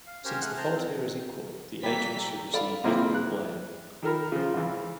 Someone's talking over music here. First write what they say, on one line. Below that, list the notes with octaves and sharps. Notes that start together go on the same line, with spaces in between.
Since the fault here is equal, the agents should receive equal blame.
F5
C#4 G4 A#4 C5 C#5
A3 G#4 F#5
C5 G5 A5 A#5
C4
E3 G3 A#3 A4 G5 A#5 B6
A4 D5 F5 B5
C#2 A#3 C4 E4 A4 C5
F#6
D#3 A4 A#4 B5
C#3 F3
C#2 E3